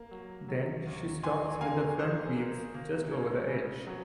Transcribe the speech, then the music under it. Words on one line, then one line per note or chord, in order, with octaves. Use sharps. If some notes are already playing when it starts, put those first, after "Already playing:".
Then, she stops with the front wheels just over the edge.
Already playing: A#3
F#3
F#3
D#2
D#2 G#5 C6
A#3 F5 G#5
A#3 G#4 C5
A#3
A#3
C#3
C#3
F#3